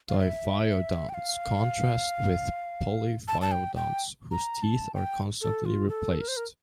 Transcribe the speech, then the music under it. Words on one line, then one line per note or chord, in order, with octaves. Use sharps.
Diphyodonts contrast with polyphyodonts, whose teeth are constantly replaced.
F5
E5
G5
F5
A5
A5
G5
G5
A#5
A5
G5
A4
F4
A4
A#4
C5
A#4